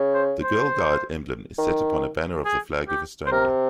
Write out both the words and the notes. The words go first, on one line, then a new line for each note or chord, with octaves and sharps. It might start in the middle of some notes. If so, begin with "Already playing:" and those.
The Girl Guide emblem is set upon a banner of the flag of Estonia.
Already playing: C#3
C5
C5
D#3
G#4
G4
C5
C3 A#4